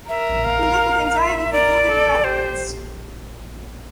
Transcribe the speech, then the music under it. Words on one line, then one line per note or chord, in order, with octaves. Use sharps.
We look with anxiety for further developments.
A#4 E5
F5
E5
A#4 D5
A4
G4 C5